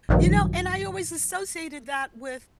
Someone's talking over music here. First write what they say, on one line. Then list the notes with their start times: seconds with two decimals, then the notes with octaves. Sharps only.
You know, and I always associated that with
0.09 A#1 G2 D#3 F3 F#3